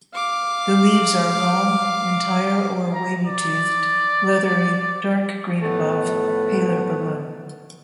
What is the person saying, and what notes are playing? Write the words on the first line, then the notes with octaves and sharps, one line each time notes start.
The leaves are long, entire or wavy-toothed, leathery, dark green above, paler below.
F5 D6
A#5
D5
A2 F3 A3 B3 F#5